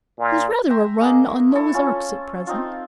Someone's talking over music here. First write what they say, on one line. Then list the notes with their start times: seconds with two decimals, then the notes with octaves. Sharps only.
There's rather a run on Noah's Arks at present.
0.18 A#2
0.70 E5 G5 A#5 C6
1.01 G#3 A#3
1.51 A3 E4 A4
1.74 C#4 F4
2.47 C4 D#4 F4